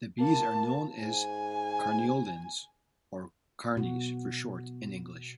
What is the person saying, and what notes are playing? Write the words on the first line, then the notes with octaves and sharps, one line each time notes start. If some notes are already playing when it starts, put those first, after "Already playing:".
These bees are known as Carniolans, or "Carnies" for short, in English.
A#3 A5
G#2 G#5
B2 F#4